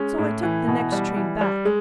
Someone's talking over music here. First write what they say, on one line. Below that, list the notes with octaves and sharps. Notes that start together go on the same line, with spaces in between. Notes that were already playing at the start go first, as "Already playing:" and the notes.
So I took the next train back.
Already playing: G#3 C#4
A2
E3
B2
G3
E3
G3
G#3